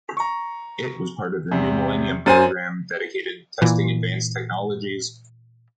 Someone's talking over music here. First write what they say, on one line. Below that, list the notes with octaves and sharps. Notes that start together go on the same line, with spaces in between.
It was part of the New Millennium Program, dedicated to testing advanced technologies.
A#5 C#6
E2 C3
F#2 C5 G#5 A6 D#7
A#2 E3